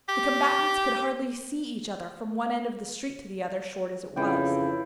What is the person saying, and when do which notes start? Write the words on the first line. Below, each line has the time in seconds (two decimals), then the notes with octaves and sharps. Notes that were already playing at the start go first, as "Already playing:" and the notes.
The combatants could hardly see each other from one end of the street to the other, short as it was.
0.09 G4
4.16 F2 C#3 E3 G5